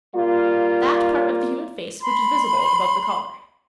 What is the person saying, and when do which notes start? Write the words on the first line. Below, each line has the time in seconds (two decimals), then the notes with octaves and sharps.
That part of the human face which is visible above the collar.
0.15 G3 A#3 F4
2.01 B5 C6